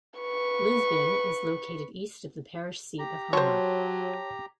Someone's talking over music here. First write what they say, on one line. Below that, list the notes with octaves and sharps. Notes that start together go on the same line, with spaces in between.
Lisbon is located east of the parish seat of Homer.
B4 C#6
G4 A#5
F#3 C5 C#5 A5 C6 C#6